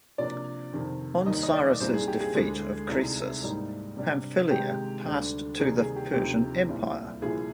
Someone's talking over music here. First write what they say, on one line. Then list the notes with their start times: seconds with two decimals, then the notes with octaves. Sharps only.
On Cyrus's defeat of Croesus, Pamphylia passed to the Persian Empire.
0.18 C3 F3 A#3 D4 D5
0.73 F2 C3 D#3
1.26 D#2 D#3 G3 A#3 D#5
1.43 D#5
1.53 D5
1.80 C2 A#2 G3 C4 D#4 C5
1.94 G#4
2.07 G4
2.21 G#4
2.34 D2 D3 G#3 D4 G#4
2.88 C2 C3 G3 C4 D#4
3.43 G#2 G3 A#3 D#4
3.97 C3 G3 D4
4.50 C3 D#3 G#3 C4 D#4 G4
5.05 D2 D3 G3 D4
5.59 C3 D#3 G3 A#3 D#4 G#4
5.77 G#4
5.96 G4
6.13 D2 C3 F3 C4 D#4 G4
6.68 C2 A#2 G3 C4
7.22 C2 A#2 F3 G#4